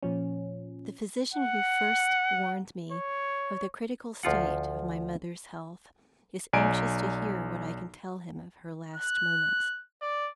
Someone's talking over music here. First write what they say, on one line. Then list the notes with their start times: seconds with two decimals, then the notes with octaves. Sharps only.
The physician who first warned me of the critical state of my mother's health is anxious to hear what I can tell him of her last moments.
0.03 A#2 F3 C#4
1.34 F#5
2.92 C#5
4.23 D2 F3 F4 F#5
6.53 B1 D5 G#5 A#5 D7
8.96 F#6
10.02 D5